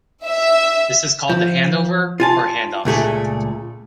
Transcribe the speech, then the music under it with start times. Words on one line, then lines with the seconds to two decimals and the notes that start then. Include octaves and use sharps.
This is called the handover or handoff.
0.25 E5
1.29 F3
2.20 F4 G#5 A5
2.85 C#2 A#2 A3 G#4